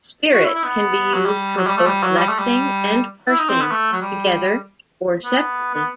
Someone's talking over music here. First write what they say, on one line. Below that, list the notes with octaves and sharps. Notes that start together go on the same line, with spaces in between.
Spirit can be used for both lexing and parsing, together or separately.
F#4
E4
E4
B3
F#3
G3
F#3
G3
A3
G3
F#3
G3
A3
G3
E4
D#4
C4
B3
A3
F#3
G3
B3
B3